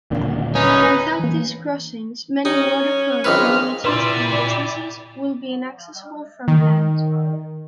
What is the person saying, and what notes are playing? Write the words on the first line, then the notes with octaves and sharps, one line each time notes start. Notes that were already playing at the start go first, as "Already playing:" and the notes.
Without these crossings many waterfront communities and businesses would be inaccessible from land.
D#1 A#2 D3
C#4 D#4 B4
E3 A#3
C#4 D#4 G4
A#1 G#2 C4 B4 D#5 E6 F6 B6
A#2 E4 G4 B4 D5 E5 C6
D#3